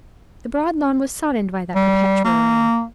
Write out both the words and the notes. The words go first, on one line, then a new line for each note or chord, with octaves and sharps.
The broad lawn was soddened by that perpetual rain.
G3
A#3